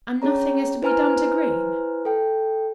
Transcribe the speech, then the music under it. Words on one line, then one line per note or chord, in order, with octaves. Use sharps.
"And nothing is to be done to Green!"
C#4 G#4 C#5 A#5
E4 B4 C5 G#5 A#5 F6
A4 G5